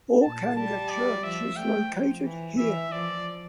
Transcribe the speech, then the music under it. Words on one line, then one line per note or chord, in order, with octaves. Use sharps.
Orkanger Church is located here.
A#2 A5
G3 A5
D5
F3 E5
A3 G5
F3
E3
E3 E5
F3 D5